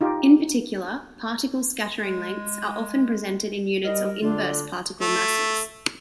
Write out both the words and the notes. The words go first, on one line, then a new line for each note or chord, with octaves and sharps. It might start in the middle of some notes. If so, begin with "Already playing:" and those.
In particular, particle scattering lengths are often presented in units of inverse particle masses.
D#4 F4 G4
G#3
G3 A#4 D#5
D3 D4 F4
A3